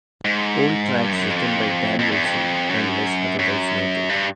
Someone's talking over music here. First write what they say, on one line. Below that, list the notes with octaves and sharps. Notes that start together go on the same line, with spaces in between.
All tracks written by Dan Wilson unless otherwise noted.
G#2
G2
F#2
F2
F2
E2
F2
F#2
F#2
G2